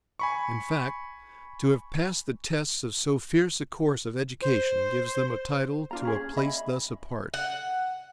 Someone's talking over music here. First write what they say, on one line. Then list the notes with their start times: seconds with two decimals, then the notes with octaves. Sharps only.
In fact, to have passed the tests of so fierce a course of education gives them a title to a place thus apart.
0.19 G#5 B5 C#6
4.42 C5
5.91 D4 F4 A#5
6.05 C#4 G#4
6.37 D#5 E5 B5
7.34 F#5